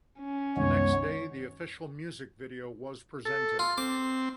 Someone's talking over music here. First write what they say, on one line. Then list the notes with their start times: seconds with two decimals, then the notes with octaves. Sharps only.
The next day the official music video was presented.
0.20 C#4
0.57 C2 F#2 D#3 G#3 B3 C#5
3.25 A4
3.59 F4
3.78 C4 D6